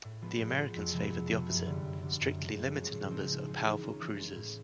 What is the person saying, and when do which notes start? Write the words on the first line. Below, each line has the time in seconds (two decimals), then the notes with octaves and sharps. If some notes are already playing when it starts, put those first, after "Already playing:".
The Americans favoured the opposite: strictly limited numbers of powerful cruisers.
0.04 A2
0.22 F3 G#3 B3
0.40 A2
0.58 F3 G#3 B3
0.76 F2
0.93 C3 F3 G#3 B3
1.12 F2
1.30 C3 F3 G#3 B3
1.48 F#2
1.66 D3 G3
1.84 F#2
2.02 D3 G3
2.20 F#2
2.37 C#3 F3 G#3 C#4
2.55 F#2
2.74 C#3 F3 G#3 C#4
2.92 A2
3.10 F3 G#3 C4 D#4
3.27 A2
3.45 F3 G#3 C4 D#4
3.64 E3
3.81 G#3 C#4 F4 A#4
4.00 E3
4.16 G#3 C#4 F4 A#4
4.36 A2